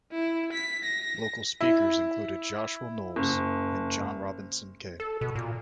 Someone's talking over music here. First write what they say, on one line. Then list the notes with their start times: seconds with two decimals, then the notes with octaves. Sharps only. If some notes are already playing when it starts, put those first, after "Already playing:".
Local speakers included Joshua Knowles and John Robinson Kay.
0.12 E4
0.53 B6
0.84 A#6
1.60 E4
3.16 F#1
5.00 A4
5.21 B2
5.36 A#2